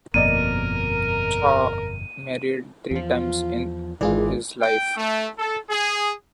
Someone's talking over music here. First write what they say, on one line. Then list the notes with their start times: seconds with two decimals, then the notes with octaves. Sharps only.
Cha married three times in his life.
0.14 G1 F2 B2 A#3 A#4 D5 D#5 D#7
2.91 E2 F3 F4
4.01 G#1 D#3 E3 F4 G#4 D5
4.61 G5
4.97 A3
5.38 A4
5.70 G#4